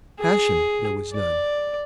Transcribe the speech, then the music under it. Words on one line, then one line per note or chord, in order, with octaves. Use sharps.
Passion there was none.
G#4
D5